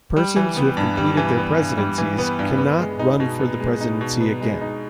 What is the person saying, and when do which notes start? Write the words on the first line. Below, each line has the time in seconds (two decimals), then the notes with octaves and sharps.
Persons who have completed their presidencies cannot run for the presidency again.
0.16 G3
0.36 E3
0.57 B3
0.77 G2
0.97 G3
1.17 E3
1.38 B3
1.58 G2
1.77 G3
1.98 E3
2.18 B3
2.39 G2
2.58 B3
2.79 G#3
2.99 D#4
3.20 B2
3.39 B3
3.60 G#3
3.81 D#4
4.01 B2
4.21 B3
4.41 G#3
4.61 D#4